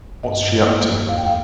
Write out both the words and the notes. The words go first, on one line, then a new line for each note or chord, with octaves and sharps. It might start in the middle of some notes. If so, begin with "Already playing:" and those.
What's she up to?
G2 D#5
G2
A#3
F2
D#2 F5
G5
F5